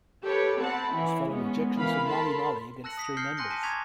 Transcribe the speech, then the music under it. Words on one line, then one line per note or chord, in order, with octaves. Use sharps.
This followed objections from Malimali against three members.
G4 A4 B4 C#5
C4 F#5 A5 B5
E3 C#4 E4
G#3 B3 C#4
E3 A#4 F5 B5
A4 A#4 A5 B5 C6
A5 E6 F#6 A#6 C#7 F#7
D#6 A#6 B6
F6 G6 C7 C#7 G7
G#5 C6 F#6 A#6 C#7
G#5 A5 C6 D6 B6 C#7
A#5 C#6 D6 G#6 B6 F7